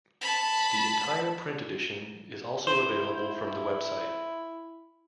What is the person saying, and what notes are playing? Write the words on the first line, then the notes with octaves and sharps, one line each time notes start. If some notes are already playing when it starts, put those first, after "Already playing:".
The entire print edition is also available from the website.
A5 B5
E4 C5